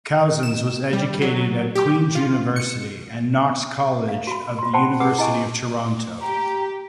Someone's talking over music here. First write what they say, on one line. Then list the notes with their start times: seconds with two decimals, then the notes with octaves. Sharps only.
Cousens was educated at Queen's University and Knox College at the University of Toronto.
0.43 E7
0.93 G3
1.22 F#3
1.75 G4
2.15 F4
2.56 C#7
4.09 F5
4.27 F#4 B5
4.59 F4 C6
4.73 C5 F#5 G5 A5 B5 C6
5.00 G#4 B4 F#5 D6 D#6
5.18 E4 D#5 G#5 C#6
6.21 G4 A#5